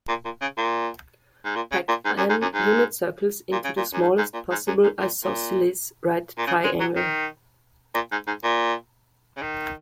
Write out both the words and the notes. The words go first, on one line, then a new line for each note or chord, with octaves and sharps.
Pack "n" unit circles into the smallest possible isosceles right triangle.
A#2
A#2
C#3
A#2
G#2
A#2
C#3
A#2
G#2
F#2
G#2
F#2
G#2
A#2
C#3
A#2
F#2
G#2
G#2
A#2
G#2
F#2
G#2
A#2
A#2
A#2
C#3
G#3
F#3
D#3
A#2
G#2
G#2
A#2
C#3
D#3